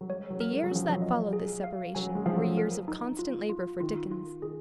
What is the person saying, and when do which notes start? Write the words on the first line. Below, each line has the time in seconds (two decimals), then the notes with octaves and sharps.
The years that followed this separation were years of constant labor for Dickens.
0.01 F#3
0.09 G#3 C#5
0.30 F#3
0.40 A#4
0.51 G#3
0.64 F#3
0.72 F3 C#4
0.89 F#3
1.02 D#5
1.33 G#4
1.64 F5
1.95 F#3 G#5
2.15 G#3
2.26 F3 F5
2.36 F#3
2.57 A#4
2.88 D#4
3.19 F4
3.49 F4
3.80 D#3 F4
4.11 F4
4.42 D#3 G#4